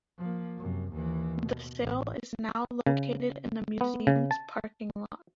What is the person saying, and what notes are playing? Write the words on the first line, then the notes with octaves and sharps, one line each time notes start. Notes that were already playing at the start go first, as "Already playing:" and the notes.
The sail is now located in the museums parking lot.
F3 A#3
F#2 C3
D#2 E3
B2
A1
C#3
B3
C#3
A5